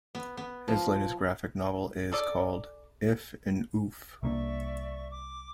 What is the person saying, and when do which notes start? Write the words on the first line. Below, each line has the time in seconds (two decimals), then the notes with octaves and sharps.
His latest graphic novel is called "If n' Oof".
0.15 B3
0.37 B3
0.68 F3
2.12 G#4 A4 D5
4.23 C2 A#3 D4 D5 E5 C#6
5.10 D6